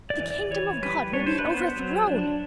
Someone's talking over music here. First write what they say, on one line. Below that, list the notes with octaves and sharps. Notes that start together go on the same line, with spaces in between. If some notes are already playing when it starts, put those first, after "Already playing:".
The kingdom of God will be overthrown...
D5
E3
D5
E3 C#5
G3 B4
D4 C#5
C5
B4
B3
C5
F#3
D4